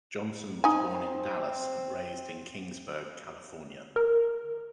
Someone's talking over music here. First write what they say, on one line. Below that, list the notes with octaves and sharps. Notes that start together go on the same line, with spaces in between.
Johnson was born in Dallas and raised in Kingsburg, California.
C4 D#4 G#5
A#4